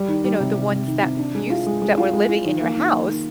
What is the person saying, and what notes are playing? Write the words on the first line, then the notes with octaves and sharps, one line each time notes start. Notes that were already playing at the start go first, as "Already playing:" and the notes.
you know, the ones that used that were living in your house,
Already playing: G3
D#3
G3
C3
C3
C3
D#3
C3
D4
G#3
F4
G#3
G#3
F4
G#3
F4
D#3
A#3
D#3
A#3
D#3